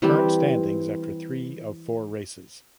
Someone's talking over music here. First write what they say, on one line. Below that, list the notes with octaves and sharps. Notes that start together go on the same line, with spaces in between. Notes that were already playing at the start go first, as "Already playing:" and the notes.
Current standings after three of four races.
E3 G3 C4 G4